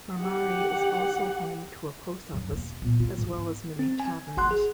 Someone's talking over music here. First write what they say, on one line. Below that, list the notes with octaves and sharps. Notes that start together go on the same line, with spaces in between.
Marmari is also home to a post office, as well as many taverns.
G4 F#5
F#2 F#3
E1 A#3
A#2 B3
F4
G#2 D3
B3
C4
G#5
G#1 F#5 C6 F#6
G#4